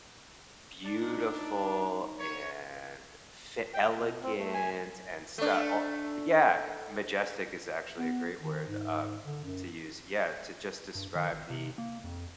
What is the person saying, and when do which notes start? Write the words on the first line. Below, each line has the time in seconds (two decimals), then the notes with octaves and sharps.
beautiful and she elegant and stuff o Yeah, majestic is actually a great word, um, to use, yeah, to just describe the
0.85 D4 D#4
2.19 A#3 C#5
3.74 G5
3.95 B2
4.22 C4
4.38 A3
4.54 G#5
5.38 A3 D4
7.98 B3
8.41 D#3
8.67 G#2
9.25 D3
9.44 F#2
10.95 G2
11.15 D#3
11.32 G#1
11.50 C3
11.78 A#3
12.04 F2